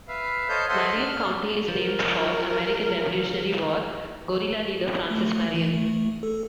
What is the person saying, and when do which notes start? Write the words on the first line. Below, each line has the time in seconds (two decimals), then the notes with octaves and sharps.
Marion County is named for American Revolutionary War guerrilla leader Francis Marion.
0.08 B4 E5 F5
0.49 A4 C5 C#5 D#5 F5 G6
0.68 A4 C5 D#5 E5 F#5 C6
0.94 D4 F6
1.68 F3 A#4
5.10 A3
5.54 E3
5.74 A3
6.23 A4